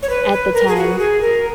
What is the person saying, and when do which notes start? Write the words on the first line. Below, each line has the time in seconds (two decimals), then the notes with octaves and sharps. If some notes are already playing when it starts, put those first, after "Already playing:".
at the time,
0.02 C#5
0.09 B4
0.32 B4
0.54 A#4
0.68 G#4
0.76 F#4
0.99 G#4
1.21 A#4